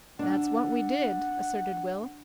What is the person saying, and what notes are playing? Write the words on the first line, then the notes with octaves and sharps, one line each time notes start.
"That's what we did," asserted Will.
D4 F#5